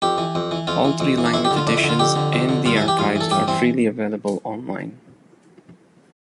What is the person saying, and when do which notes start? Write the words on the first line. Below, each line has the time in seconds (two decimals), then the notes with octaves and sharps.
All three language editions and the archives are freely available online.
0.02 F2 G4
0.18 E3
0.35 F2
0.51 E3
0.67 F2 F4
0.85 E3
1.00 F2
1.18 E3
1.25 D4
1.33 F2 E4
1.45 G4
1.51 D3
1.56 F4
1.67 F2 D4
1.77 E4
1.84 D3
1.89 F4
1.99 F2 G4
2.16 D3
2.33 F2
2.49 D3
2.65 G2 F4
2.76 E4
2.82 E3
2.88 G4
2.98 G2 F4
3.16 E3
3.21 A4
3.31 G2 G4
3.48 E3 C4